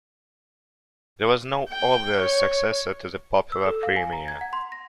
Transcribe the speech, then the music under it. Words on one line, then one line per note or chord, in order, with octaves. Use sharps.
There was no obvious successor to the popular premier.
G5
C#5
E6
A4
F5
G#5
A#5
G#6
F#5
C6
A#6